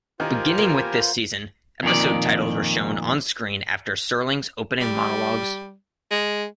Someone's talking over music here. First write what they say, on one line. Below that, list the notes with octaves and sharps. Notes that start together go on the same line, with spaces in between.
Beginning with this season, episode titles were shown on screen after Serling's opening monologues.
D#3 F4 G4 A#4 C5 G#5
A#3 B3
F2 A#2 D#3 D5
G3
G#3